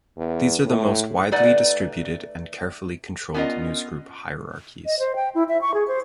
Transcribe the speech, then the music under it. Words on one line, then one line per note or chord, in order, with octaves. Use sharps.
These are the most widely distributed and carefully controlled newsgroup hierarchies.
E2
A2
A3 D#4 B4 D5 F#5 G#5
B3 C#4 F4 A#4 D#5
D#5
C5
G5
E4
E5
C#6
G#4
C5